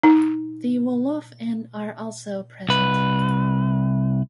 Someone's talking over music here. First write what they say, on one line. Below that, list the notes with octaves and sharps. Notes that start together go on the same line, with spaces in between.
The Wolof and are also present.
D#4
C2 B4